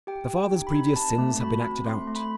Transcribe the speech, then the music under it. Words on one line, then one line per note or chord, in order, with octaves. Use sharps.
The father's previous sins have been acted out.
G4 G5
G4
G5
D#4
B5
D#4
C4 A5
A3
F#4 B5
C4
A3 C6
A3
B5